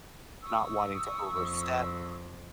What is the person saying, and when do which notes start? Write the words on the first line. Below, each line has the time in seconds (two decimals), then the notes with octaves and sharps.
not wanting to overstep,
0.43 C#6 D#6 E6
1.31 F2